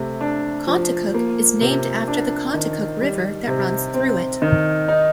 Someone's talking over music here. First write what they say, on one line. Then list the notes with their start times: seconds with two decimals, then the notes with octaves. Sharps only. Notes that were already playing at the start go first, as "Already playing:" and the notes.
Contoocook is named after the Contoocook River that runs through it.
Already playing: C3 A3
0.21 D4
0.67 F3
1.14 A#3
1.61 C3
2.08 D4
2.54 D#3
3.01 G3
3.48 C3
3.94 C4
4.42 D#3
4.88 D#4